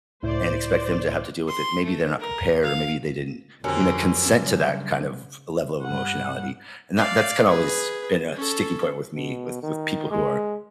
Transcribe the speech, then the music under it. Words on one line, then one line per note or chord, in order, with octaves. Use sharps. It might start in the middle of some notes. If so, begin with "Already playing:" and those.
and expect them to have to deal with it, maybe they're not prepared or maybe they didn't, you know, consent to that kind of level of emotionality. And that that's kinda always been a sticking point with me, with with people who are
C#2 A2 E4 C5 D5
C6
A3
A#4
F5
F2 D3 A#3 C4 C#4 F#4 G4 A#4
C#3 F#3 G3
G2 G3 F#5
D5 F5
G#4 B4
C#4 A4
B2
D#3
G#3